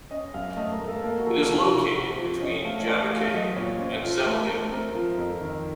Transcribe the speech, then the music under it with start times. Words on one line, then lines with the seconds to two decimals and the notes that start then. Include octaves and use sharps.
It is located between Jabbeke and Zedelgem.
0.11 C#4 D#5
0.34 F#2 F5
0.57 A3 D#5
0.72 A#4
0.80 A3
0.88 A4
1.03 A#3 A#4
1.19 F#4
1.27 F3 A4
1.49 C3 F4
1.73 C3
1.96 C3 F#4
2.11 C5
2.18 F3
2.26 C5
2.41 C#4 D#5
2.65 A3 F5
2.80 C#5
2.87 A3 D#5
3.11 A3 F5
3.34 F#3 D#5
3.56 A#2 C#5
3.79 C#4 C5
3.95 A4
4.02 F4
4.26 A3 A#4
4.49 A3
4.72 C4 A#4
4.95 F3
5.17 F2
5.41 D#3